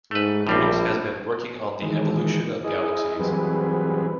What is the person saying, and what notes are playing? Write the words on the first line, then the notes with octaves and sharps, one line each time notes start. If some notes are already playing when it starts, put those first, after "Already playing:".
Rix has been working on the evolution of galaxies.
G#2 A3 B4
A#1 A2 G3 C4
D#3 E3 G#3
E4 G#4 D#5
E3 F#3 G3 C4 G#4 B4